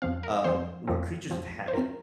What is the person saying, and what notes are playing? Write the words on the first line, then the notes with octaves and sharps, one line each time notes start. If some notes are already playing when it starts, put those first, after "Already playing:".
uh, we're creatures of habit,
F2 F3 C4 F5
A#4
F2 F3 C4 C5
F2 F3 C4
F2 F3 C4
C5
G#2 F3 C4 A#4